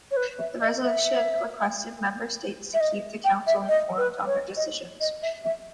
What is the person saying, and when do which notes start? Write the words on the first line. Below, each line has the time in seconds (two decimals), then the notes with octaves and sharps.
The Resolution requested Member States to keep the Council informed on their decisions.
0.11 C#5
0.17 B4
0.39 E5
0.61 D#5
0.83 E5
2.74 E5
2.80 D#5
3.24 G5
3.47 E5
3.68 D#5
3.98 B4
4.27 C#5
4.57 D#5
5.00 D#5
5.22 E5
5.44 E5